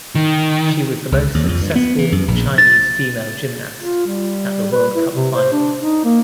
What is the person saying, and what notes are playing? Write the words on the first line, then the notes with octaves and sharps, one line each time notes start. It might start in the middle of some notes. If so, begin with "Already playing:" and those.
She was the most successful Chinese female gymnast at the World Cup Final.
D#3
C#2
D#2
F2
G2
B3
E3
F#2
A#1
A6
F4
G3
B4
E4
C3
C5
D4
D#4
A#3